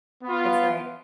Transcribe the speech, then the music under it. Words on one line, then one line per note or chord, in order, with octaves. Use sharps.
It's like
B3 F4